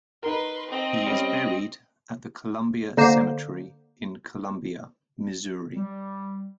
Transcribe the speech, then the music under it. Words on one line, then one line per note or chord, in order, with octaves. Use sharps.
He is buried at the Columbia Cemetery in Columbia, Missouri.
D#4 A#4 B4 C6
C4 D#5
G3 C#4
D3 A#3 C5
G3